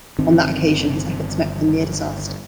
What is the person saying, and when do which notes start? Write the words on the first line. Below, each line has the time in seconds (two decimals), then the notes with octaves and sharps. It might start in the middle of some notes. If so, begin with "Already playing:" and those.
On that occasion his efforts met with a near disaster.
0.18 G1 D#3 C4